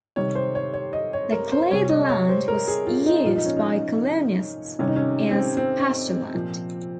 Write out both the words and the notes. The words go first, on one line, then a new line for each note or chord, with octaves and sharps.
The cleared land was used by colonists as pastureland.
C3 D#3 G3 C#5
C5
C#5
C#5
D#5
C#5
A#4
C5
C3 G3 C#5
D#5
C#5
C5
A#4
G#4
F4
D#4
A#2 F3 F4
D#4
C#4
D#4
C3 D#3 G3 C#4
D#4
C#4
C4
C4
A#2 F3